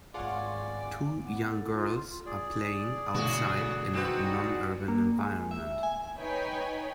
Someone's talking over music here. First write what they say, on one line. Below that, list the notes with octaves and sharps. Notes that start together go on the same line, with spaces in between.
Two young girls are playing outside in a nonurban environment.
G#1 F4 G#4 C#5 D5 F5 F#5
B3
A4
F4
G#4 D5
G#2 B2 D3 A3 F#4
C4 D#4 F#4 B4
A#3
G#3
E5
G#5
D#4 B4 C#5 G5 G#5